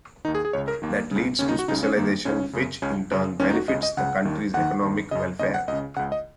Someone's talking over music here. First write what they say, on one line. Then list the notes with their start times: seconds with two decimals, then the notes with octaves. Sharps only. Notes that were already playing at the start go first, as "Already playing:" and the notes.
That leads to specialization, which in turn benefits the country's economic welfare.
0.25 D#3 D#4
0.28 D#2
0.35 G#4
0.45 G#4
0.53 C#2 C#3 C#5
0.68 A#4
0.82 D#2 D#3 A#3
1.11 C#2 C#3
1.39 D#2 C#3 C#4
1.49 D#4
1.59 F#4
1.68 C#2 C#3 D#4
1.83 C#4
1.97 F#2 D#3 A#3
2.25 C#2 C#3 C#4
2.53 F#2 C#3
2.82 C#2 C#3 C#4
3.11 F#2 C#3 C#4
3.40 D#2 D#3 C#4
3.49 D#4
3.54 F#4
3.68 C#2 C#3 D#5
3.83 D#5
3.97 C#2 C#3 F#5
4.25 D#2 D#3
4.53 D#2 D#3 F#5
4.83 D#2 D#3
5.11 F#2 C#3 D#5
5.39 D#2 C#3 D#5
5.54 F#5
5.68 C#2 D#5
5.73 C#3
5.96 C#3 F#5
5.99 C#2
6.12 D#5